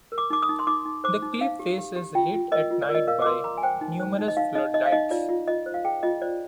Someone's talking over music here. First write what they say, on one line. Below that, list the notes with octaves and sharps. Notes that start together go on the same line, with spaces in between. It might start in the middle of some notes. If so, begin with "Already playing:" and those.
The cliff face is lit at night by numerous flood lights.
A#4
D6
D#4 D6
D#6
D#4
C6
D#4 D6
D#4
C5 D6
D#4
D#4 F5
G4
G4
G4
F4 G5
F4
A#4 D#5
F4
D5
A#4
D#5
A#4 F5
D6
A#4 C6
A#4 A#5
G#5
C5 G5
D#4
C5
D#4
D#5
D#4 F5
D#4 D#5
D#4 D#5
F5
D#4 D#5
F4 D5
F4
F4 D#5
C5
F5
G#4 G5
F4 D#5
C5 D5